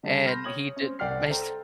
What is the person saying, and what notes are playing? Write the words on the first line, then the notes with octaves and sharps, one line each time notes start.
And he did my s
D3 G3 A5
B5 C6 F6 G6 A#6
C#5 D#6 G#6 F#7
C4 C#4
C2 D5 F#5 G5 F6 C7
A4 C5 G5 A#5